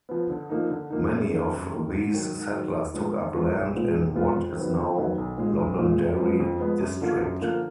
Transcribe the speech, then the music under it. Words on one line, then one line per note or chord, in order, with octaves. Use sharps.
Many of these settlers took up land in what is now Londonderry district.
F3 B3
D3
F3 A#3 D#4
D3
F3 A#3 D#4
F#2
D#3 A#3
F#2
D#3 A#3
G#2
D#3 F#3
G#2
D#3 F#3
D#2
D3 F3 G#3 B3
D#2
D3 F3 G#3 B3
B1
A#2 G#3 B3 F4
B1
A#2 G#3 B3 F4
F2
D#3 F#3 B3
F2
D#3 F#3 B3
B1
A#2 G#3
B1
A#2 G#3
F2
F3 G#3 B3
F2
F3 G#3 B3
F#2
D3 F3 A#3 F4
F#2
D3 F3 A#3 F4